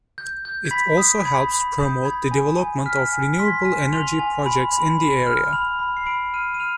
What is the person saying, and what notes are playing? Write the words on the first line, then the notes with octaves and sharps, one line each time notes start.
It also helps promote the development of renewable energy projects in the area.
G6
G6
G#6
B5 B6
D#6
B5 G#6
B5
D#6 G6
B5 G#6
G#5
G#5
F6 B6
G#5
C6 B6
G#6
B6
G#5
C6 F7
G#5
B5
B5
B5
F6
B5 F7
B5
C7
B5 D7
F6 D#7
D#7
F6 F7